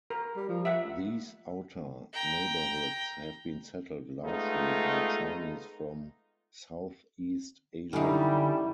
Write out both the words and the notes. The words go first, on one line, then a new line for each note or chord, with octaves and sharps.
These outer neighborhoods have been settled largely by Chinese from Southeast Asia.
A#4
G3
F3
E5 F#5
G5 A#5
G#3 A3 B3 D#4 F4
F#2 D3 G3 D#4 E4